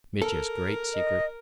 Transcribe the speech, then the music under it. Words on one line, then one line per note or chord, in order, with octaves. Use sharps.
Mitya's Great Secret.
A4 A#4
D#5